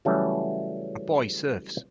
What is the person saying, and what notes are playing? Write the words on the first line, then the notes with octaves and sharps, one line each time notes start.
A boy surfs.
C#3 E3 F#3 G3 A3 C#4